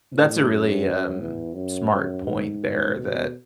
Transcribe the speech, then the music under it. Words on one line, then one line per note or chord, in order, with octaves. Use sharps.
That's a really, um, smart point there that
A2
F#2
E2
F#2
F#2
G#2
B2